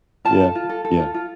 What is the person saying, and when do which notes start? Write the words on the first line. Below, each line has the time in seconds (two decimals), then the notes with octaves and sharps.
Yeah, yeah.
0.25 F4 A5
0.40 A4
0.55 F4
0.69 A4
0.85 A4
0.99 F4
1.14 F4